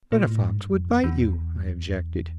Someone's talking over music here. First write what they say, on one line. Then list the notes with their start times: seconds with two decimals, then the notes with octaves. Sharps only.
"But a fox would bite you," I objected.
0.12 A#2
0.27 A2
0.43 G#2
0.57 G2
0.73 F2
1.04 E2